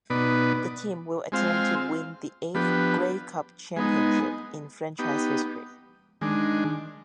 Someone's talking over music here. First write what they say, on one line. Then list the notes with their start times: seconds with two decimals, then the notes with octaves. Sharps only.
The team will attempt to win the eighth Grey Cup championship in franchise history.
0.10 B2 B3 D#4 B4 D5
1.32 G#3 C4 F4 C5 F5
2.55 F3 B3 D4 G4 B4
3.77 G#3 B3 D#4
4.99 B3 D#4 G4
6.21 D#3 G#3 D4